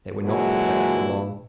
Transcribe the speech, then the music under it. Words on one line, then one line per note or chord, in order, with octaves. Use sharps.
They were not perplexed for long.
A#2 D3 E3 F#3 G#3 E4